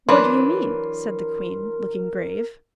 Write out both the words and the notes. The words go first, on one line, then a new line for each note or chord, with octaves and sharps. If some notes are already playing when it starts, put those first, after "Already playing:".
"What do you mean?" said the queen, looking grave.
E3 F#3 D4 A#4 B4 C6